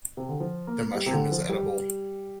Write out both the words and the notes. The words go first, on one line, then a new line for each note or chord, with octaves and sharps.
The mushroom is edible.
C3
D3
F3
A#3
G3
C3
D3
F3
G3